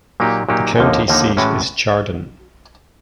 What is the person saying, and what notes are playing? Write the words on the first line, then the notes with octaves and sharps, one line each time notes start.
The county seat is Chardon.
A#2 F#3 A#3 D#4 G4
A#2 F#3 A#3 D#4 G4
D#2 D3 F3 A#3 D#4
D#2 D3 F3 A#3 D#4
A2 E3 G#3 C#4 F#4